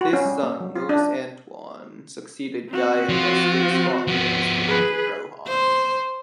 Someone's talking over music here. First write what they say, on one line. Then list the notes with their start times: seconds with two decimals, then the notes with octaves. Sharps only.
His son Louis Antoine succeeded Guy Auguste's father as the Duke of Rohan.
0.01 F#4
0.13 C#4
0.25 G3
0.43 A#3
0.60 F#3
0.76 F4
0.89 D4
2.69 C4 F#4
3.09 F3 F4
4.07 F3 B3
4.68 G#4 B4
5.48 C5